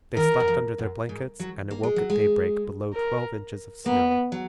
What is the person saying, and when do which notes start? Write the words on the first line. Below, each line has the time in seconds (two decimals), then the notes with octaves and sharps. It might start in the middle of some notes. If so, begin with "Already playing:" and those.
They slept under their blankets and awoke at daybreak below twelve inches of snow.
0.16 D#3 A#4
0.40 F#2
0.48 F2
0.78 F#2
1.09 G#2
1.40 F#3
1.71 A#3
1.83 G#3
1.96 F#3
2.10 G#3
2.94 A#4
3.86 A#3 B3
4.32 F#3